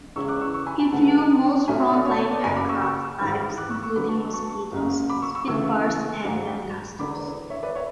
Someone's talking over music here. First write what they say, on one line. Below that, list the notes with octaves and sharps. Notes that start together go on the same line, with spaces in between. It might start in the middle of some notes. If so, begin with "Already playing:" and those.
He flew most frontline aircraft types including Mosquitos, Spitfires and Lancasters.
E2 C#3 G#3 C#4 C#6 E6
D6 F#6
C#6 E6
C#6 E6
G#5 B5
G#5 B5
D2 C#3 G#3 B3 F#5 A5
B1 B2 A3 E5 G#5
C#5 E5
D5 F#5
C#5 E5
A4 C#5
B4 D5
F#1 F#2 C#3 G#5 B5
B5 D6
C#6 E6
C#6 E6
G#1 G#2 E3
D6 F#6
C#6 E6
C#6 E6
D2 D3 F#3 B3 B5 D6
A5 C#6
A5 C#6
F#1 F#2 C#3 F#3
B5 D6
C#6 E6
C#6 E6
D2 C#3 E3 A3 C#6 E6
G#1 G#2 F#3
E1 E2 D3 B5 D6
C#5 E5
B4 D5
C#5 E5